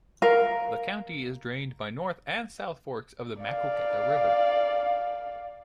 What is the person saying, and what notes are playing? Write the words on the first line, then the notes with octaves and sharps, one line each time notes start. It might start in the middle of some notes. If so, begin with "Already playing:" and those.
The county is drained by north and south forks of the Maquoketa River.
A#4 F5
D5 F5